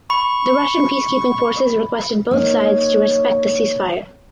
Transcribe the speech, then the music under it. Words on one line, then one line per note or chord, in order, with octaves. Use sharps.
The Russian peacekeeping forces requested both sides to respect the ceasefire.
B5 C#6
A#3 D#4 C#5